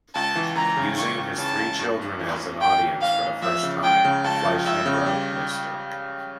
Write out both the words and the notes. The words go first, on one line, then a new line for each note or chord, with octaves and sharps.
Using his three children as an audience for the first time, Fleischman wrote Mr.
C#2 A5
E3
C#2 A#5
C#3
C#2 C#6
C#2
C#3 A5
C#2
G2
A1
E3
A1
A1 G5
A1
A1 F5
A1
F3 E5
C#3
C#2 G5
C#3
C#2 A5
F3
C#2 E5
C#3
G3